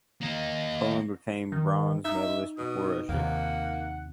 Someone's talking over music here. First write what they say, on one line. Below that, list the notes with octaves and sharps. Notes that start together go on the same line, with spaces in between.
Poland became bronze medalist before Russia.
A#3 D#4
D#3
D#4 E5
B2 D#6
D#2 C3 A#3 F#5